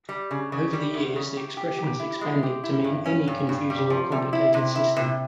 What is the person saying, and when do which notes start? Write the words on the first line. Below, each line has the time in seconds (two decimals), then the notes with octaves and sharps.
Over the years, the expression has expanded to mean any confusing or complicated system.
0.09 G3
0.31 C#3
0.52 C#3
0.73 G3
0.94 E2
1.16 C#3
1.37 G4
1.57 G4
1.79 G4
2.00 E4
2.21 G#3
2.43 G4
2.64 E4
2.84 G2
3.06 C#4
3.28 G2
3.49 G2
3.70 G3
3.90 F3
4.12 C3
4.33 E4
4.54 C3
4.76 E4
4.97 C3